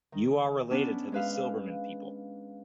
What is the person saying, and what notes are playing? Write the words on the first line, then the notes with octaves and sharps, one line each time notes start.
You are related to the Silberman people.
D#3
B3 C#4 D4
G#3 B4 F5